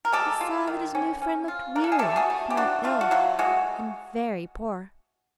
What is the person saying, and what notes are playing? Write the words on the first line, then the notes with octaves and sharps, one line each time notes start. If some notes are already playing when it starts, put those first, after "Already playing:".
He saw that his new friend looked weary, if not ill, and very poor.
A#4
G#3 G4 A4
F4
D#3
C#4
C#4
F4
D4 A#4
A4
G#4
A3 G4 A4
F#4 G#4
A3
G4
D4 F#4
A3 F4
F#4
F#3 F4
G#3 F#4